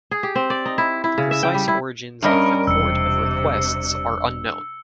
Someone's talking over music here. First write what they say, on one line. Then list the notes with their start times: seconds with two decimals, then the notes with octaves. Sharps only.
The precise origins of the Court of Requests are unknown.
0.11 G#4
0.23 G4
0.35 C4
0.50 D5
0.66 D#4
0.78 E4
1.04 E4
1.18 C#3
1.31 E5
1.43 G5
1.55 G3
1.68 E4
2.22 G2 G3 C#4 A#4 D#5
2.67 E1 C3 E6 C#7